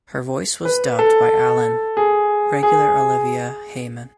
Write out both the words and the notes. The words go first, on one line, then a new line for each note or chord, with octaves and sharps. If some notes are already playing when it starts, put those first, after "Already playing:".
Her voice was dubbed by Allen regular Olivia Hayman.
B4
A4
G#4
G#4